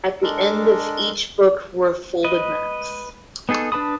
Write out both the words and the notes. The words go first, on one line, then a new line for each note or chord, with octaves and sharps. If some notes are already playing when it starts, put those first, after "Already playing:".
At the end of each book were folded maps.
G#3 D4 A4 A#4
B4 D#5
B3 D#4 G#4 A4
D4 B4 A5 B5 D#6